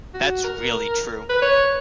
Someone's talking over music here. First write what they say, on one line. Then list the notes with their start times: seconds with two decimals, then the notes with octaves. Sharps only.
That's really true.
0.14 F#4
0.44 A#4
1.29 B4
1.42 C#5